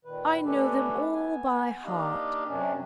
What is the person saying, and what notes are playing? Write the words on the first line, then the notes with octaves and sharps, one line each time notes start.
I know them all by heart.
A#2 D#3 B4
A3 C#4 D4 G4 A4 B4
B3 G#5
A#3 D4 D#4 G4 D#5 F5
F#2 C3 C#4 D4